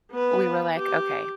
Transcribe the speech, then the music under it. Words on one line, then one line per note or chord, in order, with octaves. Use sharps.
we were like, "Okay.
B3 B4
G4 D6